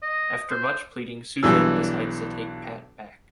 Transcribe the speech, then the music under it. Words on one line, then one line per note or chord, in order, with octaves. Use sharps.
After much pleading, Susan decides to take Pat back.
D#5
C5
B1 E3 F#3 G3 D4 E6